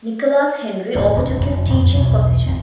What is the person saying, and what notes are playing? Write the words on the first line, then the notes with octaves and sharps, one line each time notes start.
Nicolas-Henri overtook his teaching position.
D1 D2
D1 C2 C4 D4
F1 F#2 D3
F2 D3 B3
B1 E2 G2 E3
G1 E2 C4